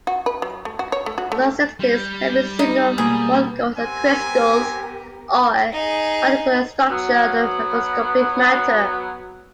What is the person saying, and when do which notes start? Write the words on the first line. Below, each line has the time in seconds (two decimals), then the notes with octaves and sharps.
Auxetics can be single molecules, crystals, or a particular structure of macroscopic matter.
0.07 F#4
0.26 B4
0.42 F#3
0.65 A3
0.79 F#4
0.92 C#5
1.06 A3
1.18 F#4
1.32 A3
1.80 G3
2.59 D#4
2.98 B2 A#3 B3 G#4
3.77 B3 C4 G4 A#4 F#5 G#5
5.73 D#4 G#4
6.90 F#3 B3